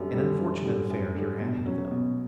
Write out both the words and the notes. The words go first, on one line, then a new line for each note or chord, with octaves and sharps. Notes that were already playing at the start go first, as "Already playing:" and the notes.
An unfortunate affair here happened to them.
Already playing: F#2 D3 G3
D3 G3
F#2
D3 G3
F#2
D3 G3
B2
F#3 C#4
B2